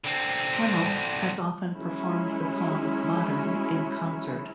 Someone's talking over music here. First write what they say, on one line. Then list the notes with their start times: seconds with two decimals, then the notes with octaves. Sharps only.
Hammill has often performed the song "Modern" in concert.
0.04 D3 C4
1.76 F#3 G#3 C#4 E4